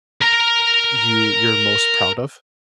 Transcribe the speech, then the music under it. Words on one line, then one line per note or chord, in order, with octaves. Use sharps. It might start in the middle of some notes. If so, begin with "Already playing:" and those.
you you're most proud of?
A#4 A#5